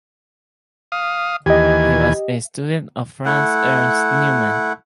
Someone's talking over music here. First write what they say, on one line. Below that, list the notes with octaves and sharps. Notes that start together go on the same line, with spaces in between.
He was a student of Franz Ernst Neumann.
F5 D#6
D#2 E3 G4 D#5 G#5
A3 E4 F#5